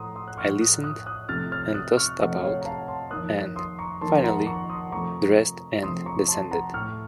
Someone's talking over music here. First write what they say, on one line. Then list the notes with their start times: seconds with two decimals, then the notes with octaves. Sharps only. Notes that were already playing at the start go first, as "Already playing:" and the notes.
I listened, and tossed about, and, finally, dressed and descended.
Already playing: A2 F3 A3 F#5 A#5 C6 D#6
0.15 C6 D#6
0.28 F#6
0.38 A2 F3 A3 C#6 F6
0.61 D#6 F#6
0.84 D#6 F#6
1.06 D#6 F#6
1.29 C3 F3 A3 F6 A6
1.52 F6 A6
1.74 D#6 F#6
1.97 C#6 F6
2.20 C3 F3 A3 D#5 F#5
2.42 C#5 F5
2.62 A#5
2.65 F5 A5
2.88 A5 C6
3.11 F2 D#3 A#3 D#6 F#6
3.56 C6 D#6
3.79 A#5 C#6
4.01 F2 D#3 A#3 A5 C6
4.24 F#5 A#5
4.47 A#5 C#6
4.70 C6 D#6
4.92 C3 F3 A3 A#5 C#6
5.83 C3 F3 A3 C6 D#6
6.06 A#5 C#6
6.28 A5 C6
6.51 F#5 A#5
6.74 A2 A3 C#6 F6